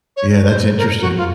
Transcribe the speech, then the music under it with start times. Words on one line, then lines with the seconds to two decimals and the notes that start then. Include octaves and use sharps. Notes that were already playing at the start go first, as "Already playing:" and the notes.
Yeah, that's interesting.
0.16 C#5
0.46 C5
0.77 A#4
1.01 F#4
1.16 F4